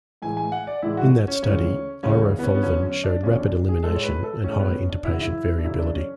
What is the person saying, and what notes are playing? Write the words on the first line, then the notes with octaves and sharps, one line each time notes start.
In that study, irofulven showed rapid elimination and high interpatient variability.
A2 E3 G#3 G#5
G#5
F#5
D5
A2 E3 G#3 E4
F#4
C#4
D2 C#3 E3 G#3 C#4
D2 C#3 E3 G#3 C#4
B3
C#4
B3
E2 D3 F#3 C#4
C#4
D4
E2 D3 F#3 C#4
D4
G#4
A2 G#3 A4
C#5
B4
A4
A2 G#3 C#4
B3
C#4
D4
F#2 C#3 E3 E4
F#4
E4
D4
F#2 C#3 E3 E4
D4
C#4